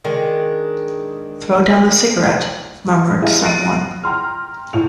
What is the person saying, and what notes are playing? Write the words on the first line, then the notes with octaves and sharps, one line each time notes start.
"Throw down a cigarette," murmured some one.
D#3 G#3 D4
G#3 E4 F4 G4 G#4 D#5
F#6 A6 A#6 C7 D7 D#7
G5 A#5 C6 F6
A2 F7